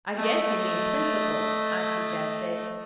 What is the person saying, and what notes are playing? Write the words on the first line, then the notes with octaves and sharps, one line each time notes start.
"I guess you mean principle," I suggested.
A3 D#5